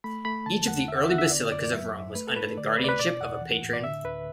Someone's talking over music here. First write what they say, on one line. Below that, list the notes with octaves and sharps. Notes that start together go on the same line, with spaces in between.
Each of the early basilicas of Rome was under the guardianship of a patron.
A3 B5
A3 B5
D3 A5
E2 F#5
D3 E5
F#5
E5
B3 F#5
E5
D3 D5
F#2 D5
D5
F#3 E5
F#2
A3 B4
A4
A3 B4
D3 D5
B4
D2 B4
D5
B4
B2 D5
E2 F#5
E3
A2
D5
D3 E5
D2 B4